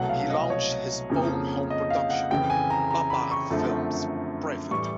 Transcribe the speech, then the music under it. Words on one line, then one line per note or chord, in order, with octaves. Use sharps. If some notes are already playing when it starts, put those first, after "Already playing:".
He launched his own home production; Babbar Films Pvt.
Already playing: C2 B2 F#3 A3 F#5
F5
D#5
C#5
F2 C#3 F3 A#3
D#5
F5
F#5
F2 C#3 E3 G5
G#5
A#5
A#5
B5
C#6
F#2 D3 F3 A3 C4
A2 E3 G3 C#6